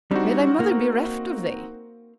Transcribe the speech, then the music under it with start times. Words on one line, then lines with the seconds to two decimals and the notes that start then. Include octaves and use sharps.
May thy mother be reft of thee!
0.11 G3 C4 D4 D#4 F#4
0.60 A#3